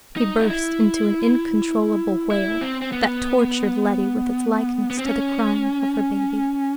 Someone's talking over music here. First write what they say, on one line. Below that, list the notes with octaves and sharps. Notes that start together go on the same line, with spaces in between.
He burst into an incontrollable wail that tortured Letty with its likeness to the crying of her baby.
D#4
F4
E4
E4
C4
C4
B3
B3
C4
C#4